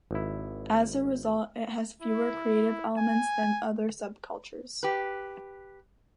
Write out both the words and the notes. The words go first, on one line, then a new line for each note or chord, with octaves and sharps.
As a result, it has fewer creative elements than other subcultures.
G#1 E4
E4
G#5
G4 B4